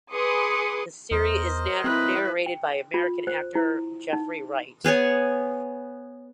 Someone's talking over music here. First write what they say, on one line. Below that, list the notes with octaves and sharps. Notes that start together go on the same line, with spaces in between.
The series is narrated by American actor Jeffrey Wright.
G#4 B4 C6 D6 D#6 C#7
E2 A#4 C5 D#5
C4 E4 B4
G5
F4
C5
E4
D#4
B3 G#4 C#5 G#5